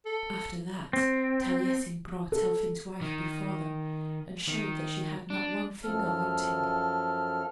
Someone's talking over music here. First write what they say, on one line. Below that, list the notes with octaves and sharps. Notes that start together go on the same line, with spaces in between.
After that Taliesin brought Elphin's wife before them, and showed that she had not one finger wanting.
A4
C4
A4
D#3
D#3
D4
F#2 F3 A4 F6